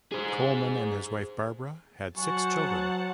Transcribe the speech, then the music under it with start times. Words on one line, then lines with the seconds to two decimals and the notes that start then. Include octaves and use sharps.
Coleman and his wife Barbara had six children.
0.12 G#4 C5
2.17 F#3 C5 F#5 G#5 A5 C#6